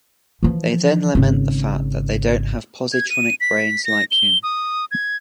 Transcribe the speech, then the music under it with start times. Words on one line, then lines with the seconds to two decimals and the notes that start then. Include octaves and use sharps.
They then lament the fact that they don't have positronic brains like him.
0.43 E3 F3
1.15 G#1 C#3
2.93 G#6
3.10 D#7
3.41 B6
3.85 A#6
4.11 G7
4.43 D#6
4.91 G#6